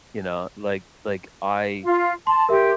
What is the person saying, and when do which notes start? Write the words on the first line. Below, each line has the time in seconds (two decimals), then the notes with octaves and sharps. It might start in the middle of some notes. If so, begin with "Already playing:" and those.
You know? Like like, I,
1.84 F4 F5
2.27 A5 C6
2.49 G4 A#4 E5 C6